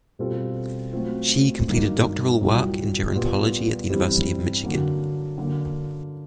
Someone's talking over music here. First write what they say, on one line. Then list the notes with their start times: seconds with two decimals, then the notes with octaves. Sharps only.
She completed doctoral work in gerontology at the University of Michigan.
0.19 B2 G3 C4 F4 A4
0.92 F#3 A3 C4 F4
1.67 G2 D#3 F#3 A#3 D#4
2.41 C2 A#2 F#3
3.15 A#2 G3 B3
3.90 G2 E3 G3 C4
4.63 D3 F#3 A#3
5.38 D3 F#3 A#3